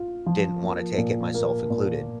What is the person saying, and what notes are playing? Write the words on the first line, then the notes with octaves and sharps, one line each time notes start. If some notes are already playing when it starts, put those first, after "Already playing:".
didn't wanna take it, myself included,
Already playing: F4
F3
A#3
A#2
A#3
A#2